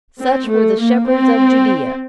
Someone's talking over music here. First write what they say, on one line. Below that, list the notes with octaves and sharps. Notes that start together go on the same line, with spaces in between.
Such were the shepherds of Judea!
C4
A3
A#3
C4